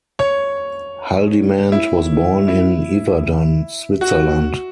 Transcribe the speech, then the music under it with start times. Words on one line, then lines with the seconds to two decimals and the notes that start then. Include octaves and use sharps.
Haldimand was born in Yverdon, Switzerland.
0.19 C#5
1.72 E4
2.48 E4
4.01 F#4